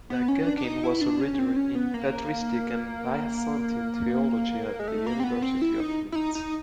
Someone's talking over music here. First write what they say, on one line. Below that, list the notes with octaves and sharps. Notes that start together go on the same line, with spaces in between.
McGuckin was a Reader in Patristic and Byzantine theology at the University of Leeds.
B3
C#4
D4
D4
D#4
E4
D4
C#4
C4
C#4
B3
A#3
G#3
A3
A#3
C4
B3
C4
E4
D#4
E4
D#4
D#4